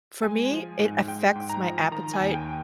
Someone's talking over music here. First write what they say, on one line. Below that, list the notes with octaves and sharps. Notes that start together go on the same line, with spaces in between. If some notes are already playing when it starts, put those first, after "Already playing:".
For me, it affects my appetite.
G#3 G#5
F3
G#2
G#3 G5
G#2
A#5
F3
D#3 A#5
G#5
D#2
G5